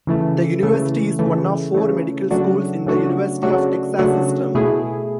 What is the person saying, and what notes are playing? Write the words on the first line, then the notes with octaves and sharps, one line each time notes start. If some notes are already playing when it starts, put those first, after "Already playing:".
The university is one of four medical schools in the University of Texas System.
C#3 E3 A3
C#3 E3 A3
C#3 E3 A3
C#3 E3 A3
C#3 F#3 A3 D4 F#4
C#3 F#3 A3 D4 F#4
C#3 F#3 A3 D4 F#4
C#3 F#3 A3 D4 F#4
B2 A3 E4 G#4